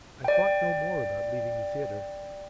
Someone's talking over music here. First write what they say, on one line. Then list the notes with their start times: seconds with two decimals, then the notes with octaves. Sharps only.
I thought no more about leaving the theatre.
0.24 D5 G5